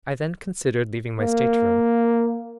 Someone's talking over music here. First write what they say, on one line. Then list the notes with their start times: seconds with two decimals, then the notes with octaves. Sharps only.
I then considered leaving my stateroom.
1.21 A#3